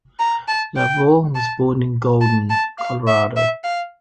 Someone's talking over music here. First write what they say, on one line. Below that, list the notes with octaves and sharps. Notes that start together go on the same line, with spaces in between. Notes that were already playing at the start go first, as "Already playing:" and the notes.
LaVeaux was born in Golden, Colorado.
A#5
A5
G5
A5
A5
A5
F5
E5
E5
F5